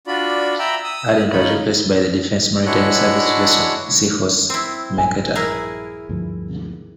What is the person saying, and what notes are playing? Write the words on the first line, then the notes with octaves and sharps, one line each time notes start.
"Ardent" was replaced by the Defence Maritime Services vessel "Seahorse Mercator".
D4 F4 F#4 D5 B5
E5 G5 A#5 B5 E6
D#6 E6
D#4 F4 C#5 B5
G#3 D4 E4 F#4 C#5 F#6
C4 E4
A#1 G2 G#5
E4 G#4 A#4
D2 G2 F3